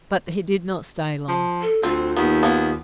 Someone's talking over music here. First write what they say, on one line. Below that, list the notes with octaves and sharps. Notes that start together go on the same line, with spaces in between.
But he did not stay long.
F3
A4
D2 C4 F4
D#2 B3
A#3 B3